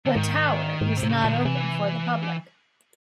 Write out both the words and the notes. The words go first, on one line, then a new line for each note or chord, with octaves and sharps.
The tower is not open for the public.
D3
G#2 D#3
G#2
C3
A2
C#3
A#2 D3
D#3
C3 E3